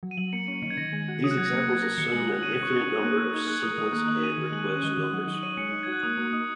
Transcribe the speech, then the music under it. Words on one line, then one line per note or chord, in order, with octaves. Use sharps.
These examples assume an infinite number of sequence and request numbers.
F#3
D#7
F#3 F#7
A#3 C#7
C#4 C#7
D#3 C#7
G#6
D#3 A#6
G#3
F#4
C#5 D#6
F#6
F#3 G#6
A#6
A#3 C#7
F#6
F#4 G#6
A#4 A#6
D#3 C#7
G#3 F#7
F#4 F#7
C#4 D#7
F#6
C#4 C#6
F#4 D#6
C#5
A#3 F#6
A#3
D#4 G#6
G#4 F#6
A#4 D#6
D#3 D#6
A#3 F#6
D#4 F#7
G#4 D#7
D#3
G#3 F#7
C#4
D#3
D#3
F#3
D#4
F#7
C#5 D#7
G#3 C#7
D#4
G#6
F#4
F#6
A#3 D#6
A#3
D#4 D#6